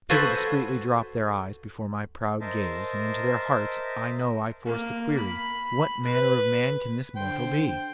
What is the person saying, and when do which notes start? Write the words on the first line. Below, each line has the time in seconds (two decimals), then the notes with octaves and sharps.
People discreetly dropped their eyes before my proud gaze, and into their hearts I know I forced the query, What manner of man can this mortal be?
0.10 F#4 A4 B4 C5 F#5 G#5
2.41 A#4 C5 D#5 E5 A5
4.65 A#3
5.18 B5
6.03 B4
7.16 D3 C5 G5